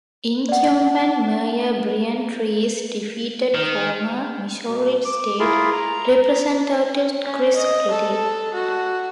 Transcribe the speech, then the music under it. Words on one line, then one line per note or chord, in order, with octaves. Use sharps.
Incumbent Mayor Brian Treece defeated former Missouri State Representative Chris Kelley.
D5 F#5
D#3
B2
D6
E4 F4 G#4 A#4
A#5
C#4
D#5
A4
F#4